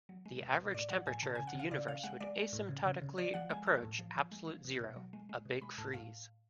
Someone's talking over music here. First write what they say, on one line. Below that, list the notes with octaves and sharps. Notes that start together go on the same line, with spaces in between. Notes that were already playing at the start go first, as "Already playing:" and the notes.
The average temperature of the universe would asymptotically approach absolute zero-a Big Freeze.
F#3
G#3
B2
B2
A2 D5
F3 F#5
A2 G#5
C#3 A5
C#3 G#5
F#5
C#3 F5
C#3 D5
C#3 F5
G#3 F#5
G#3 D5
G#3
A2
C#3
C#3
C#3
F3 D5
F3 F#5
G#3 G#5
F3 A5
A2
F3
F3
G#3
F3
B2
B2
F#3
G#3
G#3
B2
G#3 B5
A2 A5
A2 F5